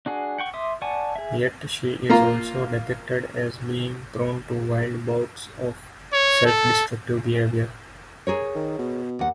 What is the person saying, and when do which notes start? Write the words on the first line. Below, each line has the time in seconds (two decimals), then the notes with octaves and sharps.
Yet she is also depicted as being prone to wild bouts of self-destructive behavior.
0.06 D4 F#4 G#4
0.38 F#5 G5 C#6
0.54 E5 C6 D6 D#6
0.82 D5 F#5 G#5 A5 C#6
1.16 G#4 E5
2.09 A#3 F4 A#5
6.13 C#5
6.45 A4
8.27 G#4 A#4 C#5
8.55 D#3
8.79 B2
9.19 D#2 F#5